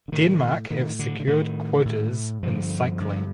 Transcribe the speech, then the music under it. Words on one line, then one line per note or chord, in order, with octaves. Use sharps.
Denmark have secured quotas in cycling.
D3
A2 D#3
A2 D#3
D3
D3
A2 D#3
A2
G2 D3 F3
G2 D3